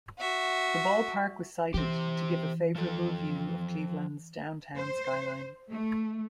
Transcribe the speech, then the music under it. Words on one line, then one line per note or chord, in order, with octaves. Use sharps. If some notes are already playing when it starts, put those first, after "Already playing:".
The ballpark was sited to give a favorable view of Cleveland's downtown skyline.
F#4 E5
E3 G4 C5
F3 A4
C5
A3